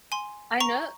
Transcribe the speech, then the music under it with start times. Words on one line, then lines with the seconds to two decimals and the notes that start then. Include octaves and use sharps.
I kno
0.12 G#5 C6
0.61 A#5 C#6